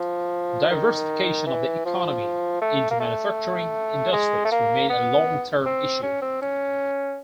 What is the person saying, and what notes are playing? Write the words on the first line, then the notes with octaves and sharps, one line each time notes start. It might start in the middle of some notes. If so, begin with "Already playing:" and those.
Diversification of the economy into manufacturing industries remain a long-term issue.
Already playing: F3
D#3
E3
F3
A3
A#3
A3
G#3
A3
A#3
B3
C4
C#4
C4
C#4